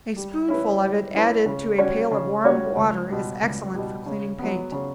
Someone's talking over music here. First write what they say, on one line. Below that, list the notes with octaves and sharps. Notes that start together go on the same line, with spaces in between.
A spoonful of it added to a pail of warm water is excellent for cleaning paint.
G3
C#4 E4 B4
G3
C#4 E4 B4
C#3
G3 C#4 F#4 C#5
C#3
G3 C#4 F#4 C#5
C#2
B2 G3
C#2
B2 G3
C#3
F#3 B3
C#3